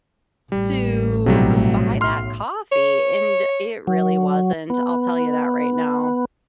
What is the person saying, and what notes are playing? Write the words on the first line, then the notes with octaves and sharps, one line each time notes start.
to buy that coffee, and it really wasn't, I'll tell you that right now.
A1 G3
B1 A2 C3 F#3 G3
C6 F6
C#5
F#3
B3